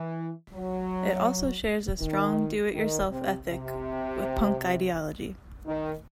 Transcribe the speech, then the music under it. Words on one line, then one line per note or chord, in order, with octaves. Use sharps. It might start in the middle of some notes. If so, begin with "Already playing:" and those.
It also shares a strong do-it-yourself ethic with punk ideology.
Already playing: E3
F#3
D#3
D#3
C3
C3
D#3